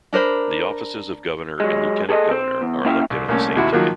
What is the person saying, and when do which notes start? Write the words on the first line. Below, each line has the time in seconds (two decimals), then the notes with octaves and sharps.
The offices of governor and lieutenant governor are elected on the same ticket.
0.13 D4 A#4 C5 B5
1.60 F#3 G#3
2.09 G#4 A4 D5 D#5
2.31 C4
2.62 E2
2.85 A#3 C#4 E4 E5 F5 G5
3.10 C2
3.28 C2 A3 A#3 C#4
3.56 D#2 C3 E4 F#4
3.73 D#3 F3 F#3 A#3